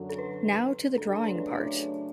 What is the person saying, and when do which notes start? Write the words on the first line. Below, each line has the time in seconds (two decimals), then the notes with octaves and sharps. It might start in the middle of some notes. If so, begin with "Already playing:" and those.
Now to the drawing part.
Already playing: F#2 D3 F#3
0.09 A4
0.18 B4
0.97 C#3 F#3 A3 D4 A4
1.15 A4
1.24 B4
1.51 C#5